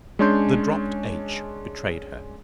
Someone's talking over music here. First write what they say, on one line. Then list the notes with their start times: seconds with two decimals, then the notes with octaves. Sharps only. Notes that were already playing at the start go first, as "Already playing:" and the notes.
The dropped "h" betrayed her.
0.19 G#3 C#4 D4 C#5 C6 G6